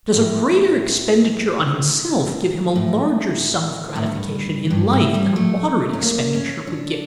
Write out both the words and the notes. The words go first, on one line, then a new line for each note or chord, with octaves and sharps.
Does a greater expenditure on himself give him a larger sum of gratification in life than a moderate expenditure would give?
A2
A2
A2
G2
G2
A2
G3
A3
C#4
A#3
C#4
D4